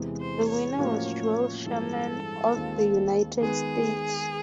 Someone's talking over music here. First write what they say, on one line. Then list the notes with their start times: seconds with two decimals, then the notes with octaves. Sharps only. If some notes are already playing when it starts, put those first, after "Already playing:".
The winner was Joel Sherman of the United States.
Already playing: E2 C3 E3 G#3 B3
0.21 C5
0.49 C#5
0.78 A2 F3 A#3 C#4 F#4
1.65 G2 E3 G#3 C4 F4 A4
2.53 D#2 D#3 G#3 C4 F4
3.41 D#3 G#3 B3 G#4